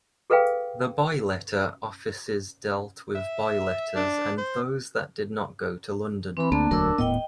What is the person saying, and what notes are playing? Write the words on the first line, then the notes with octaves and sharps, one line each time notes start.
The bye-letter offices dealt with bye-letters and those that did not go to London.
G#4 A4 B4 F5 G5
E5
D4
C5
E3 C4 B5
D2 A#3 D4
E1 D2 F#3 A#4 D6 E6
D#1 A2 B3 D#5 G5